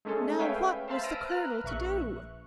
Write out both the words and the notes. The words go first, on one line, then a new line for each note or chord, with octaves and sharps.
Now what was the colonel to do?
G#3 A3 C#4 G#4 A4
B4 C#5 E5 F5 G5 G#5
C5 E5 F5 A5 B5
E6 F6 A#6 D7 D#7
B4 A#5 F6 F#6
A#1 E5 C#6 F#6